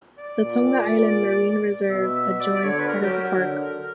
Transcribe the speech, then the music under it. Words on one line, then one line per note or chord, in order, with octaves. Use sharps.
The Tonga Island Marine Reserve adjoins part of the park.
D5
A#2
B2 E5
E5
D5
D5
D3 C#5
B4
A#4
F#3 G4
A#4
D3